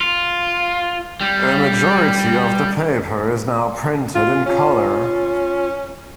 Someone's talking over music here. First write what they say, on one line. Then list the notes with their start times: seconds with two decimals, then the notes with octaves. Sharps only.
A majority of the paper is now printed in color.
0.01 F4
1.21 G3
4.15 F4
4.46 C#4 F4